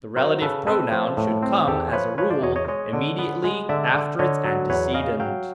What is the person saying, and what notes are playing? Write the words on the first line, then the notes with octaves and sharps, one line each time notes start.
The relative pronoun should come, as a rule, immediately after its antecedent.
F#3 A#4 C5
C#3 A4 B4
C4 A4 B4
F3
A2
C4
E2 G4 A4
F3 B4 C#5
F3 B4 C#5
C5 D5
E2 C#5 D#5
C#5 D#5
G#3 C#5 D#5
D3
B3
G#3
D3 D5 E5
D3
D3 C#5 D#5
F#3
E2 B4 C#5
C#3 D#5 F5
F#3 F5 G5